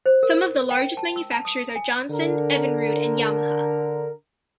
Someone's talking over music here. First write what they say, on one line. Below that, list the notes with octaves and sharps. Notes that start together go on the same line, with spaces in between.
Some of the largest manufacturers are Johnson, Evinrude, and Yamaha.
C5
A#4
G5
A5
E6
A5
D#6
G#5
D3 A#4